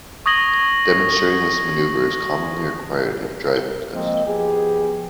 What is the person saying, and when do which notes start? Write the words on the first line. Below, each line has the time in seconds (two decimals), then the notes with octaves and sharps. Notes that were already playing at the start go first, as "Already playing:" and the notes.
Demonstrating this manoeuvre is commonly required in a driving test.
0.26 C#6 D#6 G#6 A#6 F#7 G7
3.94 F3 G#3 A#3 C4 D#5
4.26 F3 B3 G4 G#4